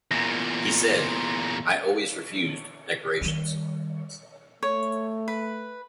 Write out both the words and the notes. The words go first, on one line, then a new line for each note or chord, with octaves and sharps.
He said: I always refused decorations.
E2 A#2
D#3 G3
A3 C#5
B4